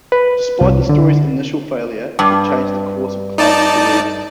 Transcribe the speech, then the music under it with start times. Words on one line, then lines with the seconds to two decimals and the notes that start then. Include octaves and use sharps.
Despite the story's initial failure, it changed the course of Clarke's career.
0.12 B4
0.61 C2
0.89 D3
2.19 G2
3.38 D#4 D5 A5